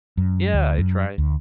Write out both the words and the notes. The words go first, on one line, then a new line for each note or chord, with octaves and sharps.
yeah, I try
F#2
D2
F#2
D2